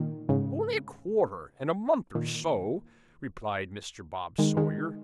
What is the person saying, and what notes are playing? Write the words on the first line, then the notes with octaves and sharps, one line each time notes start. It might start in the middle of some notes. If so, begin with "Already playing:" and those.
'Only a quarter, and a month or so,' replied Mr. Bob Sawyer.
Already playing: A#2 D#3
G#2 C#3
A#2 D#3
D#3 G#3
D#3 G#3